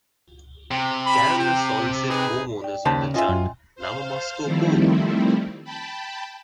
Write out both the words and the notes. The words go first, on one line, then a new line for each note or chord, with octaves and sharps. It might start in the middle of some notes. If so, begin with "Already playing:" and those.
Carollers solicit homeowners with the chant Namamasko po!
C3
B5
G5
D#4 G#4 B4
D5 G5
D#2 C#3 C5 A5 B5
C#4 F4 D#5 E5 G5 G#5 C6
F#2
C5 F5
D#3 F3 G3 A3 C4 E4
G5 A5 B5